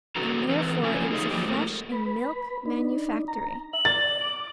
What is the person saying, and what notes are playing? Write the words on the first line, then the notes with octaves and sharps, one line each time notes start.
And therefore it is a flesh and milk manufactory.
G2 C#3 F#4 A4 B4 A#5
E3 C4 A4 B4
C#3 F3 A3 G#5
D#4 F4 G4 G#4 C#5 D#5
F3 F#3 A#3 G4
G#2 A3 A#3
B4 B5
D4 D#4
A#5
E5 F#7
D5 A6
D6